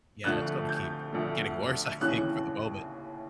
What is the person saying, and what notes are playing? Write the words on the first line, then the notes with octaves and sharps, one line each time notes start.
yeah, it's gonna keep getting worse, I think, for the moment,
D2 D3 F3 A3 F#6
G6
D2 D3 F3 A3
D#2 C#3 E3 F#6